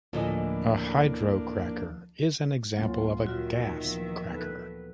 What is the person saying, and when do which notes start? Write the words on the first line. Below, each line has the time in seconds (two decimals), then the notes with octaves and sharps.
A hydrocracker is an example of a gas cracker.
0.13 D2 A2 E3 F3 A#3 D4 D#5
2.77 D2 F#3 A#3 C#4 F4
3.25 A#2 D#3 F4 F#4 E5 F#5
3.84 E3 F3 B3
4.32 B3 A4 B4